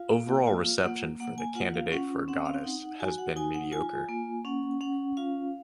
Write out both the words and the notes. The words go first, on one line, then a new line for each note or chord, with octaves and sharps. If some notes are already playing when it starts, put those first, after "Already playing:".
Overall reception for "The Candidate for Goddess" has been mediocre.
Already playing: F4 F5
A#3
F4
A#3 F#5
A#3 F#5
G#5
F4 F#5
F5
C#4 F#5
C4 F#5
F5
D#4 F#5
F#5
F#4 G#5
F#5
D#4 G#5
F#5
F4 G#5
A#3
C#4 F#5
C#4 F#5
F4 F5